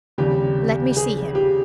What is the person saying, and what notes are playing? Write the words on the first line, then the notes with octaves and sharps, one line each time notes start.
"Let me see him."
F1 D#2 C#3 G3 G4
G#4
G4